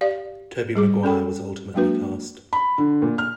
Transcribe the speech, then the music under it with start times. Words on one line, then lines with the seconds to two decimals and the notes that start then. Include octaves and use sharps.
Tobey Maguire was ultimately cast.
0.01 G4 D5 F5
0.76 G3 G#4 D6
1.03 C#4 A4 G5 B5
1.74 F#3 G#3 A#3 D4 F#4 B4
2.53 B5
2.78 D3
3.02 A#2
3.18 F6